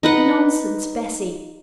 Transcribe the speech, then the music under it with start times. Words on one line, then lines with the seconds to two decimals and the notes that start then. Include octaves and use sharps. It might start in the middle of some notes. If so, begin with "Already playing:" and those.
'Nonsense, Bessy!'
0.03 D#4 B4 F#5